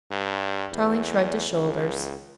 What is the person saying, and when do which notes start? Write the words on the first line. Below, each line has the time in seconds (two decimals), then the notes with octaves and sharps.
Tarling shrugged his shoulders.
0.11 G2
0.72 E2
1.52 C#2